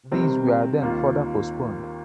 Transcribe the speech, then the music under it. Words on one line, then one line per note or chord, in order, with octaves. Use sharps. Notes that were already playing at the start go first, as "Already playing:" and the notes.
These were then further postponed.
C3 D#3 G3 C4
D#2 D#3 A#3 F4